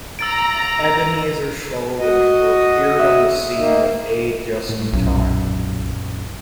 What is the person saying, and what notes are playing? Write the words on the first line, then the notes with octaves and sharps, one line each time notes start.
Ebenezer Sheldon, who appeared on the scene with aid just in time.
A#5 E6 A6 D7
F#4 D#5
E5
D#3 A#3 D#4
A2
B1 F#2 A#2